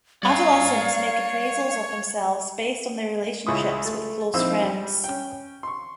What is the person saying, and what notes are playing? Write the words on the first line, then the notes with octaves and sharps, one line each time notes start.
Adolescents make appraisals of themselves based on their relationships with close friends.
G3 C#5 D5 F5 A#5
C#2 E4 C#6 D#6
A3
A#1 C4 D#4 E4 C5 E6
G3
C#4 G5
C6 C#6